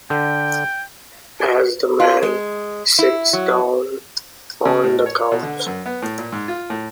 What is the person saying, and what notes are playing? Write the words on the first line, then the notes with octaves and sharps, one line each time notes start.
As the Man sits down on the couch.
D3 G5
F4
G#3
E4
F#3
C#3
A2
C#5
B2
D3
F#2
B3
A2
A#2
G#2
F4
A2